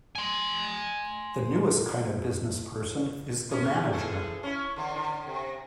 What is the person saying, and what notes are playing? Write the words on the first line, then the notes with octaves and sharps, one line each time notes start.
The newest kind of businessperson is the manager.
G#5 C6
E3 C#4
E3 G#4 A4
C#4 E4
D3 E3
D3
C3